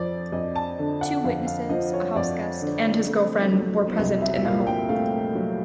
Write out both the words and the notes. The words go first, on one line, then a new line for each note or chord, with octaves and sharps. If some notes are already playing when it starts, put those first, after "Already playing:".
Two witnesses, a house guest and his girlfriend were present in the home.
Already playing: F2 F3 D5
F2 D#5
A5
D3
F#5
F2 F5
F5
F3 D#5
C#5
F2 D5
D3
A3
F#3
C2 D#5
E5
E5
A#2 F5
G5
A3 F5
F#3